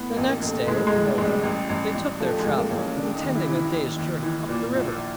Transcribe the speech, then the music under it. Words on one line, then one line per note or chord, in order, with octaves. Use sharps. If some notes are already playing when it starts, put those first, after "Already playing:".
The next day in the morning they took their travel, intending a day's journey up the river.
Already playing: A2 B3
A#3
A1
A#3
A1
A3
A2 G#3
G#3
A2
G3
A1 G#3
G3
A1
A1
A1
F3 A3
G#3
A1
A#3
A1
C#4
C#3 D4
D#4
D#2
E4
E3
E4
D#2
D#2
E3
A#2
A#1